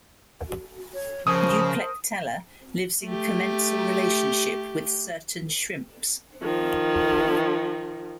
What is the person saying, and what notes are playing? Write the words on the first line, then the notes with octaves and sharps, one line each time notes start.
Euplectella lives in commensal relationship with certain shrimps.
C#5
C#3 F3 A#4 C5 A5 D#6
A3 G4
D#3 F3